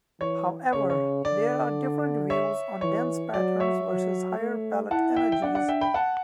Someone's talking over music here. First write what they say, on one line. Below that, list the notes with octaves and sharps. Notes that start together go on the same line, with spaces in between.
However, there are different views on dense patterns versus higher pellet energies.
E3 C#5
C#3 C#5
C#5
D3 D5
C#5 E5
E3 C#5
F#3 D5
C#5 E5
F#3
A3
E4 F#5 A5
E5 G5
G5
D4 D5 F#5
D5 F#5
E5 G5
G5 B5
F#5 A5